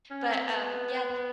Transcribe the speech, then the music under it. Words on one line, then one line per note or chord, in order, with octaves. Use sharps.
But, um, yeah, th
C#4
C4
B3